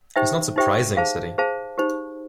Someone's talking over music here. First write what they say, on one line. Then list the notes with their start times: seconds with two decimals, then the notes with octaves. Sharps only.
"It is not surprising," said he.
0.16 D#4 G4 C5 E5 G5
0.56 D#4 G4 C5 E5 G5
0.97 G#4 C5 F5 A5
1.38 G#4 C5 F5 A5
1.78 D#4 G4 C5